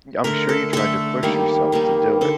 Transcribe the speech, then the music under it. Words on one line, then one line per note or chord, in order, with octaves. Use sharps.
I'm sure you tried to push yourself to do it,
D3 A3 A#4
A4
D3 A3 A4
D#3 G3 A#3
D#3 G3 A#3
D3 A4